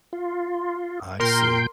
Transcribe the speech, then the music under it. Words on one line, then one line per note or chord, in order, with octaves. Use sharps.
I see.
F4
A#2 A#4 G5 C6 G6